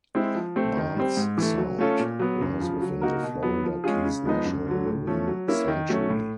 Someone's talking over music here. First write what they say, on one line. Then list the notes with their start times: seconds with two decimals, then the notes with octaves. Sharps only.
Barnes Sound lies within the Florida Keys National Marine Sanctuary.
0.15 G#3 C4 E4
0.35 F3
0.56 A3 C4
0.77 D#3
0.97 G3 C4
1.17 G#2
1.38 E3 A3
1.58 F#3
1.79 A3 C#4 F4 A4
1.99 A#2
2.19 F#3 B3
2.41 F#2
2.61 C#3 F3
2.82 F#3
3.01 A#3 D#4 F#4 A#4
3.23 B2
3.43 F#3 B3
3.64 F3
3.84 G#3 C#4 F4 G#4
4.04 C#3
4.25 F3 G#3 B3 D#4
4.45 F#2
4.67 D3 F#3
4.86 A2
5.07 F3 A3 C#4
5.27 F#3
5.48 A#3 C#4 E4
5.68 D#3
5.89 F#3 A3 C#4
6.10 A2